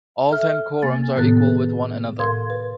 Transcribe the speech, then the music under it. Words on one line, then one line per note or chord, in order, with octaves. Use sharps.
All ten quorums are equal with one another.
A4 E5 F6
C3 A#3 G#5 A6
A2 D#3 B3 A4 F#6 A6
G#4 B4
A2 A4 A#4 F5 C6 G#6
B4